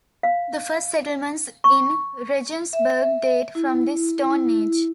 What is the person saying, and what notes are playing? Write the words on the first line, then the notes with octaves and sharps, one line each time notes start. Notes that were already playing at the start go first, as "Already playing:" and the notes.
The first settlements in Regensburg date from the Stone Age.
F5
C#6
E5
E4
E4